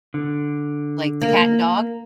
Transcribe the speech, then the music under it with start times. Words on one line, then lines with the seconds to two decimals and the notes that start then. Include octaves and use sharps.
like the cat and dog,
0.14 D3
1.21 A#3